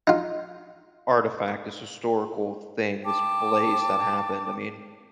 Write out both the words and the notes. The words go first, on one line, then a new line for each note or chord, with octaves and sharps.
artifact, this historical thing, this place that happened," I mean
D#4 F4
G5 A5 D6